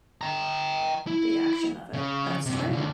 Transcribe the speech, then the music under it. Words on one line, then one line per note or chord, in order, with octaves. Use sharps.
The action of it. That's true.
G5 A#5
E4
C#3
F#2 C3
C#2 D3